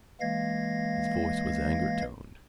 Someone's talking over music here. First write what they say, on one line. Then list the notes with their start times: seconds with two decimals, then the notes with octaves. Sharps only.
His voice was anger-toned.
0.21 E3 G#3 A#3 F5 G#6 A#6